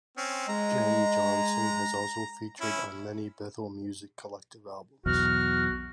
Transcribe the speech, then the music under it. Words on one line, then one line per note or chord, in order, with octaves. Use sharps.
Jenn Johnson has also featured on many Bethel Music collective albums.
C4 C#4
G#3 A#5
C#4 E4
B1 E2 F#4 F6